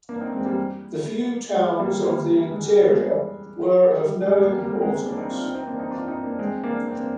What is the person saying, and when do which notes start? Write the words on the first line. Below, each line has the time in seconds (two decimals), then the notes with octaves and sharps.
The few towns of the interior were of no importance.
0.09 A#3 D4
0.21 C4 D#4
0.33 G#3 C4
0.45 G3 A#3
1.55 G#3
1.79 G3 A#3
2.03 G3 A#3
2.51 G#3
2.63 G3
2.76 G3
2.88 G#3
3.98 G3
4.22 G#3
4.29 G3
4.38 G#3
4.45 G3 A#3
4.58 G3 A#3
4.70 G#3 C4
4.82 G#3
5.06 A#3 D4
5.18 C4 D#4
5.30 D4 F4
5.42 C4 D#4
5.55 C4 D#4
5.66 A#3 D4
5.79 C4 D#4
5.90 D4 F4
6.08 C4 D#4
6.24 A#3 D4
6.39 G#3 C4
6.64 A#3 D4
6.88 C4
6.97 A#3